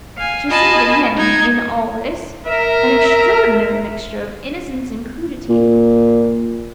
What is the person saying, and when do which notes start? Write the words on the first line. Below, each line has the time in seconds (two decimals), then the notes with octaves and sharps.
She seemed to him, in all this, an extraordinary mixture of innocence and crudity.
0.17 F5 G#5
0.48 F4 D#5 G#5 A5 B5
1.14 G#3 D#4 G#6
2.46 A#4 E5
5.48 A#2